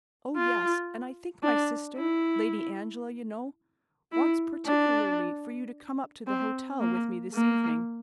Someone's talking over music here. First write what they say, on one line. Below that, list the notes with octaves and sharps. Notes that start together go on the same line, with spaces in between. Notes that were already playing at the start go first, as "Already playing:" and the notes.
Oh, yes, and I think my sister--Lady Angela, you know--wants particularly for you to come up to the hotel with me this evening.
F4
D4
E4
E4
D4
C4
A#3
A#3